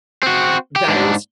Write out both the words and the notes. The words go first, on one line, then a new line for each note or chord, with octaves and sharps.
that is
C4 F#4
G4
G#2 D4